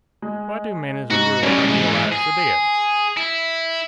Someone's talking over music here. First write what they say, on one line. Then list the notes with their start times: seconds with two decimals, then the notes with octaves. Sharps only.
Why do men as a rule idealize the dead?
0.22 G#3
1.10 G#2 F#4
1.43 B1 A2 G3 C#4
1.68 G#2 E3 G#3
2.12 G#4
3.17 E4